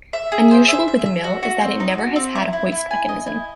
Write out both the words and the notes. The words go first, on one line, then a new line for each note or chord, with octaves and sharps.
Unusual with the mill is that it never has had a hoist mechanism.
E5
G#4
C5
E5
E5
E5
F#4
F#4
C4
D#4
F#4
C4
E4
E4
E4
G#5
D#5
E4